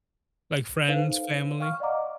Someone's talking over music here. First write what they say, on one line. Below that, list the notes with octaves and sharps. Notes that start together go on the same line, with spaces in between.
Like, friends, family?
D#4 A4 B4 C5 F5
C#5
F5 G5 C#6 F6
D5 D#5 F5 F#5 A#5 D6